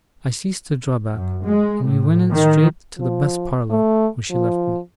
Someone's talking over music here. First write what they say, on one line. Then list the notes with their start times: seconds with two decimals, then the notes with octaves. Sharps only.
I ceased to draw back, and we went straight to the best parlour, where she left me.
1.14 F#2
1.45 G#3
1.86 A2
2.31 D#3
2.99 F3
3.70 A3
4.30 F3